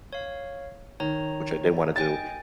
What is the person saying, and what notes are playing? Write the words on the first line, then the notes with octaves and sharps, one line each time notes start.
which I didn't wanna do."
C#5 F5
D#3 C#5 A#5
D#5 G5 G#5 A6